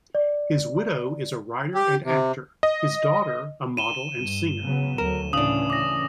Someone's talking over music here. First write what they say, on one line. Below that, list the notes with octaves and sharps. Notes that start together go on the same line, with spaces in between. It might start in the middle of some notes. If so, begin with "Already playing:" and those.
His widow is a writer and actor, his daughter a model and singer.
D5
G4
C3
D#5
D#7 E7 G7
G2
C#3 F#3 B3
D2 F#3 A#4 E7
A2 C#3 E3 C#4 D4 D#6 F#7
D6 A#6